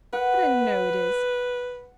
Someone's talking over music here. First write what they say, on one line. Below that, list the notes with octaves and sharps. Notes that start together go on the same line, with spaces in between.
But I know it is.
B4 F#5